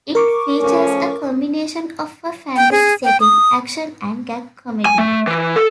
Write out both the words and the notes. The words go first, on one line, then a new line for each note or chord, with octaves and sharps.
It features a combination of a fantasy setting, action and gag comedy.
A#4 C#6 D6
F3 A3 C#4
G5
G#4
G5
D#6
G#5
A3
E3
A4